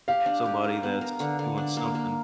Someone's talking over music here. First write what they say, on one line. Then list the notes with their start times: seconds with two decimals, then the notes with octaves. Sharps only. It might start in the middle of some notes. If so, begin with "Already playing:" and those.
somebody that's doing something
0.08 G4 F5
0.26 D4
0.46 G4
0.64 A#4
0.83 B3
1.01 A#4
1.20 D3
1.39 D3
1.58 D4
1.77 A#3
1.95 A#3